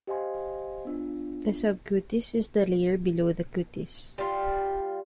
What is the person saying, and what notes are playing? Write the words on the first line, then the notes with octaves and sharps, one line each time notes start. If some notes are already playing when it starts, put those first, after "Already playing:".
The subcutis is the layer below the cutis.
G4 C5 D#5 F5 G#5 C6
B3 D4 F4
G3 F4